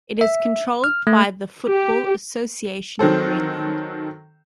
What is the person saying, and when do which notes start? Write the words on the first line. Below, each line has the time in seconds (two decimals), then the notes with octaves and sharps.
It is controlled by the Football Association of Greenland.
0.21 E5
0.84 F6
1.07 A3
1.68 G4
2.99 D#3 F#3 C4 A4